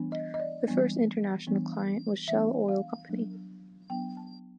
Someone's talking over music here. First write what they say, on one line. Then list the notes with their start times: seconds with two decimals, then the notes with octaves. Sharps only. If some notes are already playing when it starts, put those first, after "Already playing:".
The first international client was Shell Oil Company.
Already playing: E3 G3 B3 D4
0.12 D#5
0.34 D#5
0.40 D5
0.66 E3 G3 B3 D4
1.47 E3 G3 B3 D4
2.28 E3 G3 B3 D4 E5
2.69 F5
3.09 F#3 B3 D4
3.90 F#3 B3 D4 G5
4.17 A5